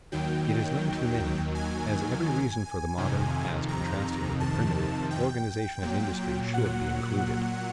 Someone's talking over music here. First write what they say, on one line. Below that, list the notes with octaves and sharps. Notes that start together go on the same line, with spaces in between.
It is none too many, as every reason for the modern, as contrasted with the primitive, organization of industry should be included.
D#2 D#3 F#3 G5
G#5
F2 C3 D#3
A#5
A5
G5
A#2 F#3
F#5